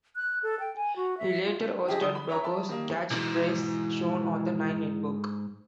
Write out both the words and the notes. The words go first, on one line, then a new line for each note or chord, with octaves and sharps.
He later hosted Burgo's Catch Phrase, shown on the Nine Network.
F#6
A4
G5
G#5
F#4
E5
F4
F3 G4 G#4 D#5 E5
D3 D#6 G7
B5
C#5 E5 A#5
A#4 E5 A5 B5
D#3 G3 A#3
C#2 G#2 B2 E3